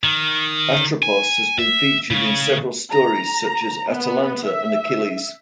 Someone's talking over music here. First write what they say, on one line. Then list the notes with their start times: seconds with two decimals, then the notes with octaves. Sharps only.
Atropos has been featured in several stories such as Atalanta and Achilles.
0.04 D#3
1.03 G#5
1.59 E5
2.11 C#3
2.91 A#5
3.89 B3
4.46 E5